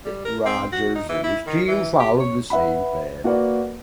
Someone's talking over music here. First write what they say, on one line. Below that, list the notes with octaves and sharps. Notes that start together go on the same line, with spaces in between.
Rogers and his team followed the same path.
G3
A#4
C4
F#4
D#4
E3
E4
D#3
E3
G4
C#5
B4 E5 F#5 B5
A#3 F#4 B4 D5 F#5